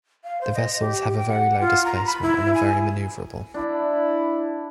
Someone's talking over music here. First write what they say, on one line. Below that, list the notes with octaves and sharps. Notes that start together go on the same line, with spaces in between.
The vessels have a very low displacement and are very maneuverable.
F5
C5
D#5
G4
G5
F#5
F4
A#5
B5
E4
G#5
D4 E4